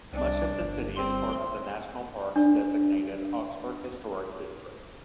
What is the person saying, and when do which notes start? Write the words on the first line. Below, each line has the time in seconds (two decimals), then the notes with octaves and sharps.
Much of the city is part of the National Parks-designated Oxford Historic District.
0.13 C2 D4
0.60 G1
0.96 C4 C6
2.36 D4 D5